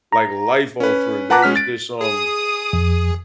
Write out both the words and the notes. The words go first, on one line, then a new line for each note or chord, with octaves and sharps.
like, life altering, there was this, um
A#5
C#4 B4
B4 F#5 A5 A#5 D6 F#6
G#3 C#4 F6 B6
A6 D7
G#4 D#6
F2